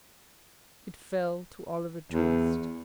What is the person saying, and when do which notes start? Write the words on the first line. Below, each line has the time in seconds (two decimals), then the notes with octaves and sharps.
It fell to Oliver Twist.
2.12 E2